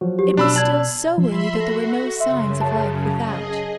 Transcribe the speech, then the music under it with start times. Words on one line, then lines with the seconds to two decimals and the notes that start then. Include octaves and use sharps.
It was still so early that there were no signs of life without.
0.01 F3 F#3 F#4
0.19 G4
0.37 B2 D4 B5 E6
0.56 D5 A5 G#6 F#7
1.18 F3 E5 B5 C6
1.56 F#4 A4 A#6
2.20 F#2 C#3 E5 C6
2.61 A5
3.14 G#4 D#5